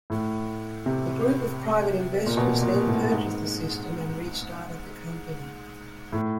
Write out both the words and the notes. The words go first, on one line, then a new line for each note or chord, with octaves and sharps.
A group of private investors then purchased the system and restarted the company.
A2
C3
A#2
B2
A#2
A2
G#2
A2